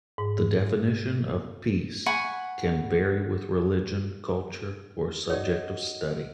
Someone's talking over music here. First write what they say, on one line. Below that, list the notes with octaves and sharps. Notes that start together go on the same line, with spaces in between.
The definition of "peace" can vary with religion, culture, or subject of study.
G#2
F#5 G#5 B5 C#6
D#4 F#4 C#5 D5